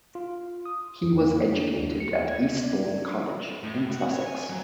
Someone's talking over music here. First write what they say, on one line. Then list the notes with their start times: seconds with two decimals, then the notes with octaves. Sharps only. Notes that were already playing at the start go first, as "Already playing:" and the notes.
He was educated at Eastbourne College in Sussex.
0.15 F4
0.65 D#6
1.03 F2
1.20 A#3
1.53 D4
1.78 D#2
2.00 C#7
2.29 G#6
2.64 D5
3.63 A2
3.90 F#4
4.10 C#5
4.27 G#5
4.50 F#3